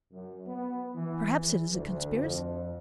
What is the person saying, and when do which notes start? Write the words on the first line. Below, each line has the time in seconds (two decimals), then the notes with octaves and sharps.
Perhaps it is a conspiracy.
0.12 F#2
0.46 B3
0.95 E3
1.41 E2
1.73 D2
2.18 F2